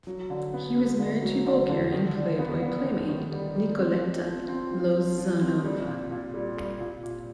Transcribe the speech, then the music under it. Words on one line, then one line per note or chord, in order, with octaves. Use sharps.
He was married to Bulgarian Playboy Playmate Nikoleta Lozanova.
F#3
D3
B3
B3
D3
F#3
D3
D3
D#3
D4
B3
B3
D4
D#3
G3
G3
C4
F3
F3
C4
F3
F3
F3
C4
G3
A#2
A#2
G3
G3
A#2
A#2